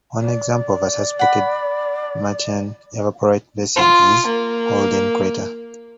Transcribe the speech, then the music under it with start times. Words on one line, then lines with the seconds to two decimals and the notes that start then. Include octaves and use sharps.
One example of a suspected Martian evaporite basin is Holden Crater.
0.19 D5
1.19 F#5 B5
3.76 F4
4.26 A#3